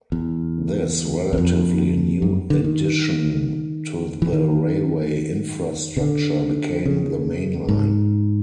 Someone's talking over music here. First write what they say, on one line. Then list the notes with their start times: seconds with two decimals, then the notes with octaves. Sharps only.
This relatively new addition to the railway infrastructure became the main line.
0.12 E2
1.33 E2
1.38 F2
2.22 F#2
2.50 D3
2.64 D#3
4.22 E3
4.33 D#3
5.97 C#3
6.01 D3
6.86 C#3
7.69 G#2